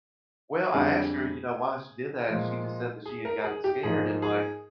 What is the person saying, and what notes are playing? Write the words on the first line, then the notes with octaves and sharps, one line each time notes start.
Well, I asked her, you know, why she did that and she just said that she had gotten scared, and, like
F2 D3 G3 G#4
A#2 F3 G#3
G#4
A#4
G#4
G4
G#2 F3 A#3 G#4
G#4